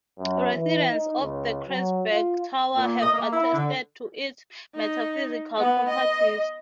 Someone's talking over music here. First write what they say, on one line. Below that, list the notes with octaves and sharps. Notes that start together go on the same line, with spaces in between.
Residents of the Kreuzberg Tower have attested to its metaphysical properties.
F#2
E3
D#4
C#2
F#3
F4
A#2
D#5
A#3
E4
D3
D#4
B3
D#5